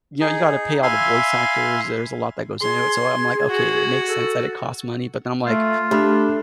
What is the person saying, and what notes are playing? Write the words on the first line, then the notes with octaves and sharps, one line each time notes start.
you know, you gotta pay all the voice actors, there's a lot that goes into it. So, I'm like, "Okay, it makes sense that it costs money." But then I'm like
D#4 G#4
E5 F5 G#5 B5 C6
G#4 C6
F#4
A4
A3 F4
A3 D4 G4 B5 F6